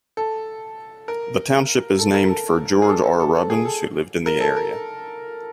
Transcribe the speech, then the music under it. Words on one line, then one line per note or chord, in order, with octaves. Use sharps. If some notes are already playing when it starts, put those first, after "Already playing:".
The township is named for George R. Robbins, who lived in the area.
A4
A#4
A4
A#4
A4
G#4
A4
A4
A4
A4
G#4
A4
A#4
A4
A#4